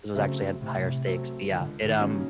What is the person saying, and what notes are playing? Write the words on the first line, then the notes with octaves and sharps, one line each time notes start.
it was actually had higher stakes, but yeah, it, um
C#3 F#3 A3 C4
A2 C3
F#3 A3 C4
C#2 D3
D#3
C#3 F#3 A#3 C#4